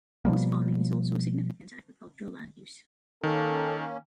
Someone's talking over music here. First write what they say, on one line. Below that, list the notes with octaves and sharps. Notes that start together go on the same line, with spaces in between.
Horse farming is also a significant agricultural land use.
B2 F3 G3 A#3
D#3 A#3 C#4 A4